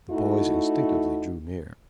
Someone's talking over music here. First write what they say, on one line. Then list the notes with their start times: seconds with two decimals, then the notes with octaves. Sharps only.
The boys instinctively drew near.
0.10 A3 D#4 E4 F#4